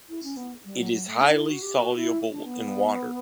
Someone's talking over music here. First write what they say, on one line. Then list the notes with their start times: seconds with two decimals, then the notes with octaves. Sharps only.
It is highly soluble in water.
0.09 E4
0.23 C#4
0.37 B3
0.65 G3
0.79 F#3
0.92 F#3
1.07 A3
1.20 D4
1.34 E4
1.49 F#4
1.62 G4
1.77 F#4
1.96 E4
2.32 D4
2.46 B3